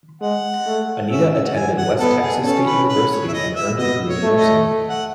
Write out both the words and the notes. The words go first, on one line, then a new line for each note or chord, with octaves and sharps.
Anita attended West Texas State University and earned a degree in nursing.
G#3 F#5
A3
C#4 E5
E5
F#5
G#5
F#5
B3 A4
G#4
C#4 A4
B4
B4
C#5
E5
D#5
E5
B3 D#5
C#5
A3
D#5
F#5